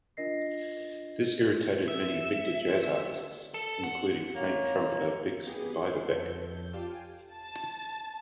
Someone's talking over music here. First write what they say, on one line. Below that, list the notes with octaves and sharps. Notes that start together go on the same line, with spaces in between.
This irritated many Victor jazz artists, including famed trumpeter Bix Beiderbecke.
D4 F4 A#4 D#5 A#6 C7
E5
A4
F#5
A#3 C#5
B3 G4 G#4
C6
F2 A4 G6
F4 G4 D5 F5 A5 C6
F5 G5 G#5
A5